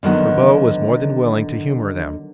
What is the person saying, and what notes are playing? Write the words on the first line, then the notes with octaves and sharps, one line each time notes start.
Ribaut was more than willing to humor them.
D3 D#3 F#3 B3